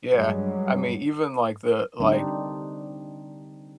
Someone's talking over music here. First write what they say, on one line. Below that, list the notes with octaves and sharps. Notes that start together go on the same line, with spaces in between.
Yeah, I mean, even like the, like
G2 F#3 G#3
D3 G3 C4 D4 D#4